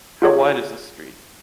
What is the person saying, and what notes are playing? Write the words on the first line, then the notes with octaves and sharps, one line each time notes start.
How wide is this street?
F4 G4 G#4 C#5